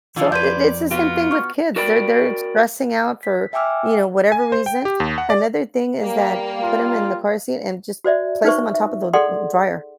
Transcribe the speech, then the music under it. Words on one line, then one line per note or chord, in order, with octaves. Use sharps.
So i it's the same thing with kids, they're they're stressing out for you know, whatever reason. Another thing is that put 'em in the car seat and just place 'em on top of the, uh, dryer.
D3 D#3 F3 F4
F2 B4 C5 D5 G6 G#6 D#7
B3 F4 F#4
C#6 F6
F#4 A#4 D5 G5 B5
B6
E5 G5 G#5 D6 E6 F6
G#5
C5
G5
G4
D#2
F#5
D5
G3 A#3
F4
F#4 C5 D5 E5
D#4 B4 C5 E5 C#6
E5
G#4 A4 D5 F#5 C6